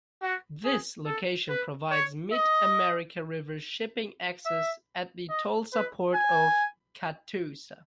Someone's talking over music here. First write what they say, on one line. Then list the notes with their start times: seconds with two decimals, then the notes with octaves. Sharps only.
This location provides mid-America river shipping access at the Tulsa Port of Catoosa.
0.22 F#4
0.65 G#4
1.06 A4
1.49 B4
1.91 C#5
2.33 D#5
4.46 E5
5.30 D#5
5.73 B4
6.14 G#5